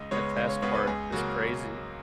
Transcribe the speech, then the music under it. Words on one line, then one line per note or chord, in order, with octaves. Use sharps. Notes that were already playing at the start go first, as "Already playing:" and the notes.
The test part is crazy,
Already playing: C#2 D#5
C#3 G#3 B3 C#5
C#2 F5
C#5
C#3 G#3 B3 C#5
B4
C#2 G#4
C#3 F#3 A#3 F#4